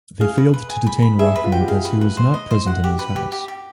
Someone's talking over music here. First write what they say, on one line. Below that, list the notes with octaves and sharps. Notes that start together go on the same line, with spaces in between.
They failed to detain Rahman as he was not present in his house.
G#4 F5
B4
B4
G#5
B5
B5
G#4 E5
B4
F4
F#4 G5
G4
G#4 F5
B4
B4
C5
D#5
C5
F#4 F#5
G4
B4
G4
G4
G4